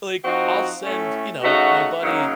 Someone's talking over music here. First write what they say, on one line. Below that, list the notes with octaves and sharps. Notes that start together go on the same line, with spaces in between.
like, I'll send you know, my buddy,
F3 C4 D#4 F#4
A2 A3 C#4
C#3 A3 D#4 F#4
F#2 C#3 F#3 A#3 D#4